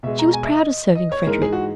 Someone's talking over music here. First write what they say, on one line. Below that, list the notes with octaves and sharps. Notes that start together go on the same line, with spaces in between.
She was proud of serving Frederick.
B2 G#3 E5
A#5
G#5
E5
D#5
D#5
C#5
G#2 E3 G#3 A#4
G#4
F#4